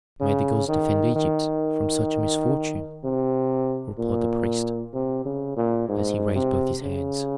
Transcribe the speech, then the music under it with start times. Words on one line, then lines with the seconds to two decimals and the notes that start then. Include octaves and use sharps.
"May the gods defend Egypt from such a misfortune!" replied the priest, as he raised both his hands.
0.21 C#3
0.68 D#3
1.15 D#3
3.04 C3
3.99 A#2
4.94 C3
5.25 C#3
5.57 A#2
5.88 G#2
6.35 C3
6.83 C#3